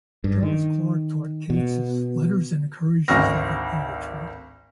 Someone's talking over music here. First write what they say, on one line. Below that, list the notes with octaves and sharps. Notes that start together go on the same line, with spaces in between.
Charles Clarke taught Keats his letters and encouraged his love of poetry.
G2
D#3
B2
G#1 D2 C4 C#6 F6 A#6